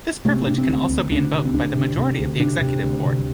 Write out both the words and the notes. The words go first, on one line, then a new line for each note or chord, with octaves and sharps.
This privilege can also be invoke by the majority of the Executive Board.
C3 A3
C4
C3 D4
C4
D2
D2
D2 D4
C3
C4
D2 D4
C3
C3
D2
C3 D4
C3
D2
C3